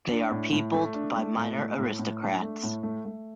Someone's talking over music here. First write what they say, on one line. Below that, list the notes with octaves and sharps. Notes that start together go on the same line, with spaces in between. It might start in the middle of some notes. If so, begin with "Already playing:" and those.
They are peopled by minor aristocrats.
D4
A2
A2
A3
D4
A3
A2
A3
A2
A2
D4
A3
A2
A3
A3